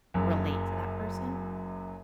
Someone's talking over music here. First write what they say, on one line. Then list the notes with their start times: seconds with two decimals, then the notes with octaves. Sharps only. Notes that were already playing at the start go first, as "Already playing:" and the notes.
relate to that person,
0.14 F#1 F#2